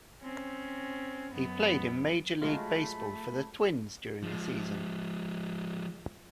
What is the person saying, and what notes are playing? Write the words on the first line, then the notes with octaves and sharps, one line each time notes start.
He played in Major League Baseball for the Twins during the season.
C4 C#4
F#2 B3
F#3 G#3 A3 F4 B5
F3 G#3